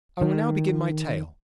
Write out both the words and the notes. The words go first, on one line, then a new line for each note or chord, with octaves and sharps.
I will now begin my tale.
D#3